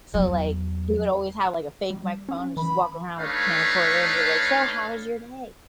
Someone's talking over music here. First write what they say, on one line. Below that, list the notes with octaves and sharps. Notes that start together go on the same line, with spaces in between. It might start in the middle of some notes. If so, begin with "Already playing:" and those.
So, like, he would always have, like, a fake microphone and just walk around with the camcorder and be like, "So how was your day?"
E2 F#3
G3
C#4
E3 B5
A3 D4 D#4 B4 C#5 F5